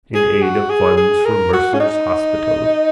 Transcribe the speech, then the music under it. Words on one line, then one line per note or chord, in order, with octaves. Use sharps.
In aid of funds for Mercer's hospital.
G#4
F#4
G#4
G#4
A#4
F#4
C#4
D#4